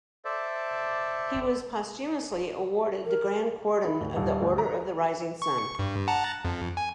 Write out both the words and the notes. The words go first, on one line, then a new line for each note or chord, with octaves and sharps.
He was posthumously awarded the Grand Cordon of the Order of the Rising Sun.
A4 C5 D5 E5
A#4
E4
D2
D#1
D2
A#5
C#6
G2
F#5 A5 A#5
F2
G#5